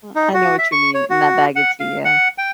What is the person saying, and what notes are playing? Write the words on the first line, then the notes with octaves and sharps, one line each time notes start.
Well, I know what you mean, in that bag of tea, yeah.
D#4
F#4
E5
C#6
C#5
F#4
F#5
F5
F#5
G5